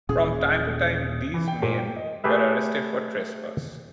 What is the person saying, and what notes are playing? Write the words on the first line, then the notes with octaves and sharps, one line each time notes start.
From time to time these men were arrested for trespass.
D#1 A#2 C#4 G#4
E3
G5
A#2
G5
D#5
A3 G4 G#4 B4 E5